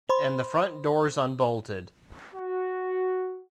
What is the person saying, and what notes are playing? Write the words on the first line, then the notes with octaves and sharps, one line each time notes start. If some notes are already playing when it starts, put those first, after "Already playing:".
And the front door's unbolted.
C5 B5 C6
F#4